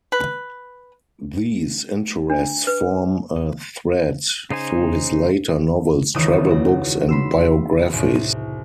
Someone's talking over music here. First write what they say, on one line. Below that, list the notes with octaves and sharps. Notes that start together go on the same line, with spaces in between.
These interests form a thread through his later novels, travel books and biographies.
B4
D4
B4
C#3 D#4 C5 G#5
E1 C#2 D#3 D#4 B4 D#6
F#4
B5 C6 E6
C2 A2